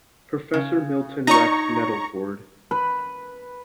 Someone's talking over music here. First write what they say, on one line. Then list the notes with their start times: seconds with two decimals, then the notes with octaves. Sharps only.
Professor Milton "Rex" Nettleford.
0.54 C#3
1.27 D#4 C#5 A#5 C#6
2.71 B4